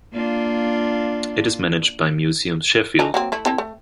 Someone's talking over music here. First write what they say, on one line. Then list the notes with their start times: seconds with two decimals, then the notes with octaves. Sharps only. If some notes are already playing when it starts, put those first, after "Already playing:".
It is managed by Museums Sheffield.
0.12 A#3 D4 F4
2.99 E3 D4 D#4
3.14 F#3 A#3 C4
3.32 A3 E4
3.46 C4 E4 A4
3.58 A3